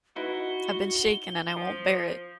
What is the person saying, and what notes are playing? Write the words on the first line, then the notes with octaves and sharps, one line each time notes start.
I've been shaken, and I won't bear it!
D#4 E4 F#4 B4 G7
F3